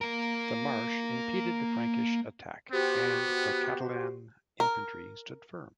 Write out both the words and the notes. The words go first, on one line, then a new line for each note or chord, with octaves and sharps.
The marsh impeded the Frankish attack and the Catalan infantry stood firm.
A#3 A#4
B3 F#4 G4 C5
A#4